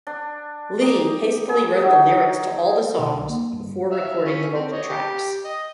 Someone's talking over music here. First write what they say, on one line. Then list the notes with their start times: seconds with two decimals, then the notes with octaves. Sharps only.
Lee hastily wrote the lyrics to all the songs before recording the vocal tracks.
0.07 D4
0.81 G4 A#5 D#6
1.49 G#4
1.79 F#3 D#4 E5
2.99 B2
3.14 B1
3.29 A#3
3.52 G2
3.91 E5 F5
4.25 C#4 E4
4.54 C4
4.71 C#5 D#5
4.90 G4
5.45 D#5